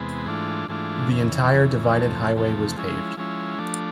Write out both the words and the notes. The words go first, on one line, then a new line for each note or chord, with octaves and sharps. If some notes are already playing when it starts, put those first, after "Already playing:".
The entire divided highway was paved.
Already playing: E2 C3 G#3 B3
G#2 E3 A3 D4 F4
G#2 E3 A3 D4 F4
F2 C#3 E3
F2 C#3 E3
E2 C3 F3 A3
E2 C3 F3 A3
F3 G#3 C#4 E4
F3 G#3 C#4 E4
F3 A3 D4